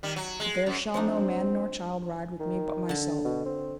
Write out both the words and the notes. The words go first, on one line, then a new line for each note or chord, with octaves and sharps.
But there shall no man nor child ride with me, but myself.
D#3 G3
F#3
G#3
F#2
F3 C4 D4 D#4
D#3
D3 A5
B2
C4